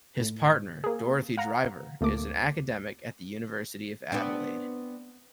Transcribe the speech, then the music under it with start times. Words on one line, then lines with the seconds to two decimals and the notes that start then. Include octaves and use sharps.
His partner, Dorothy Driver, is an academic at the University of Adelaide.
0.20 A2
0.84 A#3 G#4
1.37 F5 F#5 A#5
2.01 D2 A3 A#3 D6
4.12 B3 C4 D4